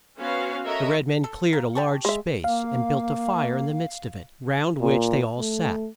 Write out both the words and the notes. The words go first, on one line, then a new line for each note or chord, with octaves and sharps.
The red-men cleared a large space, and built a fire in the midst of it, round which they all sat.
B3 C#4 F#4 C5 F5
F#4 A4 A#4 C#5 D#5 E5
A4
A#3
G4 A5 C#6
G#3 E5
A#3 F5
A#2
A3